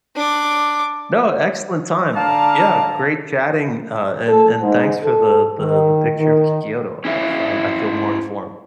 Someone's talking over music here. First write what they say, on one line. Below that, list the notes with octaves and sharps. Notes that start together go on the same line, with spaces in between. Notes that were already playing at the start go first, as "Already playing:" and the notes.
No, excellent time. Yeah, great chatting, uh, and and thanks for the the the picture of K Kyoto. I, um, I feel more informed.
D4 D6
D3 D5 F5 A5 A#5
A4
G#2
A4
D#3
D#3
C#4 E4 G#4 A#4 E5 F5